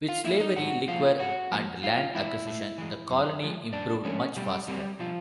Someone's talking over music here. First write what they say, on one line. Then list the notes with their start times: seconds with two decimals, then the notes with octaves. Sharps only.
With slavery, liquor, and land acquisition the colony improved much faster.
0.09 F4 F5
0.24 F#3 A#3 E4 E5
0.40 D#4 D#5
0.56 G#2 F#4 F#5
0.88 F3 A#3 F4 F5
1.19 G#2 F#4 F#5
1.51 F3 A#3
1.83 A2 F4 F5
2.15 E3 G#3 E4 E5
2.47 A2
2.78 E3 G#3
3.10 F#2
3.42 D3 F3 G#3
3.73 F#2 D4 D5
4.05 D3 F3 G#3 C#4 C#5
4.36 B2 G3 G4
4.68 F#3 G3 A3 C4 G4
4.99 B2 F3 F4